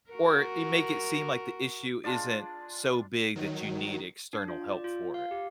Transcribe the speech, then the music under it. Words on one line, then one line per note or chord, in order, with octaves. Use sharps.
or you make it seem like the issue isn't so big that you need external help for it.
F#4 A#4
G#3 D4 F4 D5
D#3 F#3
D4
F4
D5
F4
F5
G4